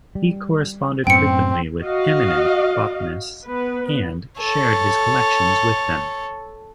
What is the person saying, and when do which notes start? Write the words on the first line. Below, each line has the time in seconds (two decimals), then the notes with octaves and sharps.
He corresponded frequently with eminent botanists and shared his collections with them.
0.15 G3
1.07 F#2 A2 B3 C4 G5 C#7
1.83 F#4 D#5 F5
3.44 B3 B4
4.39 A4 C#5